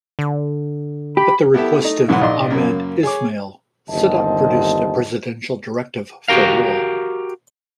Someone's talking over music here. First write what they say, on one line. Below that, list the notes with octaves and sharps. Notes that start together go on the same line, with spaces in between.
At the request of Ahmed Ismail, Sadat produced a presidential directive for war.
D3
G4 B5
B3 E4 G4 A4 E5
A3 D#4
B1 G#2 E3 F#3 B4 F#5
A#1 D#4 D#5 C6
F#2 C#3 A#3
G#4 C#5 D6
G1 D#2 C4 D#5 A5
F#4 G4 A#4 F5